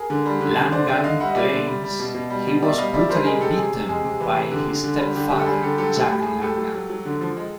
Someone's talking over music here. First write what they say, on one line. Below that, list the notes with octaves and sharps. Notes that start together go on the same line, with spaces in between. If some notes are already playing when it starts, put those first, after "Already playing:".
Langan claims he was brutally beaten by his stepfather, Jack Langan.
Already playing: G#4 A#4
D3
G3
D3
D3
D3 C5 D5
D3 D5 E5
D3 D#5 F5
G3 E5 F#5
D#5
G3 D5 E5
D3
G3
G3
B2
B2
G3
B2
B2 D5 E5
G3 D#5 F5
G3 D5 E5
G3 A#4 C5
G#3 G#4 A#4
C3 G4 A4
C3 G#4
C3
G#3 G#4
C3
E3
C3
D3
D3
D3
G3
D3 G4
D3 G4
A4
G3 G#4
D3 G4 A4
F#3 G4 A4
A2
G4
A2
G#4
A2
A2 G4 A4
F#3
F#3
F#3
D3
F3
G#3